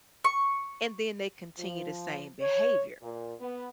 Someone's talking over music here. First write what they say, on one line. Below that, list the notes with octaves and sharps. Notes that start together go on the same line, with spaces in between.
and then they continue the same behavior.
C#6
F3
C#5
A#2
B3